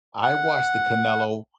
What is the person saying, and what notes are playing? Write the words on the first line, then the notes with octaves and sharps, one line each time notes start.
I watched the Canelo
F#5